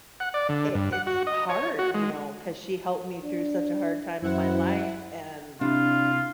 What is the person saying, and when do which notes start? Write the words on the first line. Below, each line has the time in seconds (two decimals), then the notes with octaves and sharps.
eh i it's hard, you know, 'cause she helped me through such a hard time in my life, and
0.20 F#5
0.34 D5
0.49 D3
0.75 G2
0.92 F#5
1.07 F#4
1.27 D#5
1.49 C#5
1.79 F#4
1.94 G#3
3.22 D4
4.22 F#2 E4 C5 F#5
5.61 C3 D4 E4 F4